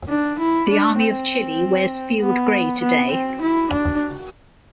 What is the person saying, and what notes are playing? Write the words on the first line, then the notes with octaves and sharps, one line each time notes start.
The Army of Chile wears field grey today.
D4
E4
D4
C4
B3
B3
C4
E4
D4